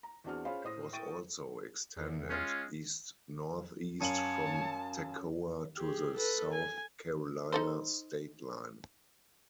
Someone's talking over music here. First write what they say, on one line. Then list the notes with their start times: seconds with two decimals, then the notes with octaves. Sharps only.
It was also extended east-northeast from Toccoa to the South Carolina state line.
0.03 A#5
0.24 E2 C4 D4 F#4 G#4 F6
0.45 C#4 F4 G#4 C5 F5 B5
0.64 A2 C5 D#6 A#6
0.92 E4 G5 C#6 A6 D7 D#7
1.96 E2
2.30 G#3 C#4 F4
4.01 F#2 C#5 F5 G#5 A5 D#6 F#7
5.77 G4 G#4
6.17 A4 B4
6.53 G#5
7.52 D#4 A4 C5